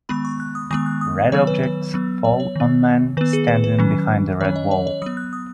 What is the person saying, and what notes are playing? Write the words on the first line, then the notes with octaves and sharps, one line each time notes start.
Red objects fall on men standing behind a red wall.
D#3 G#3 B3 B5
C#6
F#6
D#6
D#3 G#3 B3 D#6
F#6
D#6
D#3 F#3 B3 C#5
B4
B4
F#3 B3
C#5
C#5
D#3 B3
D#3 B3 B4
G#4
B4
B4
D#3 F#3 C#4
D#3 F#3 C#4 C#5
D#5
C#5
C#5
F#3 B3 D#6
F#6
D#6